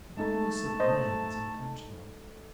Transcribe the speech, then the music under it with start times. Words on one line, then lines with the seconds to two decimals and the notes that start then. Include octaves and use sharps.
The coldness of men is intentional.
0.17 G#3 A3 D#4 A4 A5
0.80 C5 D#5